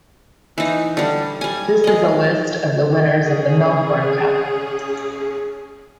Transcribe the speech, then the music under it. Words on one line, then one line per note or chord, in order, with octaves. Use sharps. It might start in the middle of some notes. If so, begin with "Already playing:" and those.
This is a list of the winners of the Melbourne Cup.
E3 D#4
D3 G3
G3 G#5
G#3 D#5
C#4 G#4